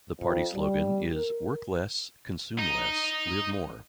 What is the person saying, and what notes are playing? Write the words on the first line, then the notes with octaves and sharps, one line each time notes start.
The party slogan is Work Less, Consume Less, Live More.
F2
G3
A#4
D#4